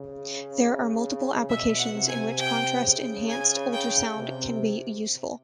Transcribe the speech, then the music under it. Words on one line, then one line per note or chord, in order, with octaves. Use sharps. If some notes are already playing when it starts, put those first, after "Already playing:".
There are multiple applications in which contrast-enhanced ultrasound can be useful.
Already playing: C#3
B2 E5
F#5
C3
G#5
C3 G5
C#3
G#5
G5
C3